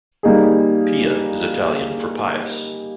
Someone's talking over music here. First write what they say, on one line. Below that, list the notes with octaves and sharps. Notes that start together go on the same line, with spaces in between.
Pia is Italian for pious.
G3 A#3 D#4 G#4